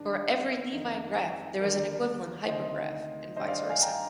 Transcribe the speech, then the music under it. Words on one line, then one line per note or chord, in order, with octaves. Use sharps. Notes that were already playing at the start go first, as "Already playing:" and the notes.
For every Levi graph, there is an equivalent hypergraph, and vice versa.
Already playing: G2 D#3 D4
F2 D#3 D#4
D#2 D3 F3 A#4 D5
D2 C3 D#3 C5 D#5
G2 D#3 C5 D#5
D5 F5
F5 G#5
G5 A#5